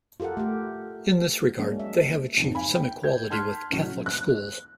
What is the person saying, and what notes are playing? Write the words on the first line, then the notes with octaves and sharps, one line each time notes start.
In this regard they have achieved some equality with Catholic schools.
F4 G4 A4 A#4 F#5
A3 G4
F#3 G#3 A#3 C#4 D4
E5
F#1 F2 G#2
F5 G#5 B5
G5
G6 G#6
A5 C6 F6 F#6 G#6 B6
A2 C#3 F#3
F#6